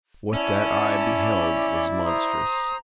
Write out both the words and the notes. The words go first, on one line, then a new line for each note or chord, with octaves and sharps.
What that eye beheld was monstrous.
C#4 E4 D5 A5
C5 A#5 D#6